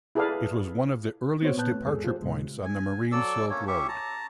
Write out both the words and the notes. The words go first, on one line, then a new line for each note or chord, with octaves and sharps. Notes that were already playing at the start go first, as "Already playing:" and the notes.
It was one of the earliest departure points on the Marine Silk Road.
E4 G#4 A4 B4 D5 F5
B3 C4 F#4 C5 C#5
A#2 B3 B4 A5 F#6 G6
A3 C4
E2 G#2 G#3 G#4 A4
F4 G4 C5
A#2 C#3 G#3
G#5
F#3 A4 D5 E6
A3 A#3 C#4 C#5
C#4 G4 E5 C#6
A5 A#5